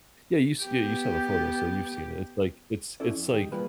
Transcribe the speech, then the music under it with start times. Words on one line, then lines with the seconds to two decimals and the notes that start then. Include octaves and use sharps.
Yeah, you s yeah, you saw the photo, so you've seen it. It's like it's it's like,
0.62 B3 G4
3.00 C#4 E4 A4 D5
3.16 F2
3.33 G#2 D#3 D#4 G4
3.52 D#3 G3 A#3 F4 G#4 B4